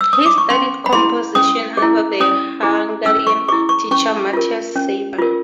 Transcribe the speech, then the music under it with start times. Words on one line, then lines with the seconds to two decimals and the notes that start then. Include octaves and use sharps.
He studied composition under the Hungarian teacher Matyas Seiber.
0.01 E6
0.13 D#6
0.26 D6
0.38 C#6
0.50 C#4 C6
0.86 B5
0.93 E4 G#4 C6
1.35 C#4 D#6
1.77 E4 G#4
2.20 C#4 D#6
2.63 E4 G#4
3.06 C#4 E6
3.27 C#6
3.48 E4 G#4 C#6
3.69 C#6
3.91 C#4 C#6
4.33 F4 A#4
4.76 C#4
5.18 F4 A#4